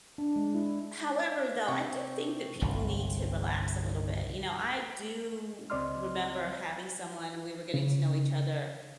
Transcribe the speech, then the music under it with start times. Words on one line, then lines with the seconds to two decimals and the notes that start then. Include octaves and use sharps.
However, though, I do think that people need to relax a little bit. You know, I do remember having someone we were getting to know each other,
0.18 D4
0.36 G#3
0.55 E4
1.68 C3 G5 C#6
2.62 G1 C2
5.70 C#2 C4 D5 D#5 C6 F6
7.74 C#3